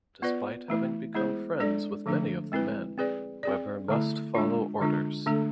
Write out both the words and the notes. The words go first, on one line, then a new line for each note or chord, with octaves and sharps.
Despite having become friends with many of the men, Weber must follow orders.
B3 F4 B4 D5
E3 A3 E4
G#3 B3 E4 G#4 C5
G#3 D4 A4 D5
D3 F3 A3 D4 A4
G#3 C4 E4 B4
C4 G#4 B4 D5
C4 G#4 D5
D3 A3 E4
G#3 D4 F4
D3 G#3 D4 F4
D3 A3 D4 A4